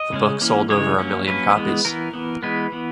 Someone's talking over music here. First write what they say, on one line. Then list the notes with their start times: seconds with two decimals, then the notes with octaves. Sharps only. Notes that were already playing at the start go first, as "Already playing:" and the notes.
The book sold over a million copies.
Already playing: D#5
0.13 C#3 G#3 C#4
0.41 E3 A#3 C#4
0.70 C#3 E3 G#3 C#5
0.99 F#3 A#3 C#4
1.27 F#3 A#3 C#4 B4
1.56 E3 G#3 B3
1.85 E3 B3 A#4
2.13 E3 B3
2.43 E3 G#3 B3 B4
2.72 E3 B3